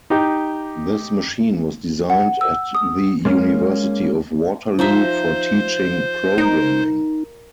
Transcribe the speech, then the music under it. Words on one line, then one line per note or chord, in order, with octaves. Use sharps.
This machine was designed at the University of Waterloo for teaching programming.
D#4 G4
F#5
E6
D#6
G#3 A#3 C#4
F3 D#4 C5 E5
D#4 A#4